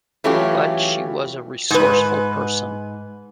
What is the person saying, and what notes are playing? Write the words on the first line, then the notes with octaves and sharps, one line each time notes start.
But she was a resourceful person.
E3 F#3 A3 C#4 F4 G4
G#2 B4